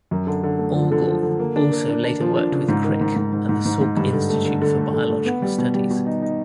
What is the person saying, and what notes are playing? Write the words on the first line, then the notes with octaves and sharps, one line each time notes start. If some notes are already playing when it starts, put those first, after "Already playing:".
Orgel also later worked with Crick at the Salk Institute for Biological Studies.
F#2
D3
D3
A3
F3
D3
F3
D3
A#3
D4
A#3
D4
D4
F3
D4
C#3
G#2
D#3
G#2
G#2
G#2
G#2
G#2
G#2
G2
D3
A3
D3
D3
A3
D3
A3
B3
G3
B2
G3
B2
D#4
D#4